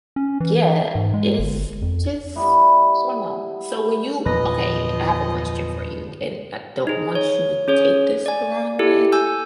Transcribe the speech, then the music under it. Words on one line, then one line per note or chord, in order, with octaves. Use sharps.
yeah, it's just so no. So, when you okay, I have a question for you, and I don't want you to take this the wrong way.
C#4
E3
G#2
G#3
G1
F2
G3 B3 E4
G1 E2 A#2 F3 F#3 B4 D#5 A#6
D#4 G#4
C#5
C#4 G#4 C#5
D5 G#5
E4 G4 A4
G#5 E6 G6